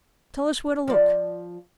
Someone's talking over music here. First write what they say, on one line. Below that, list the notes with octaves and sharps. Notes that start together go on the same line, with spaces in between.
'Tell us where to look.'
F3 D5